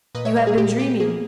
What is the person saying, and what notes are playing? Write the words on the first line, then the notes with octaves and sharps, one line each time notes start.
You have been dreaming.
A#2 B4 D#5
C#5 E5
G#3 B4 D#5
G#4
A#2 G4
B3 G4
A#3 G#4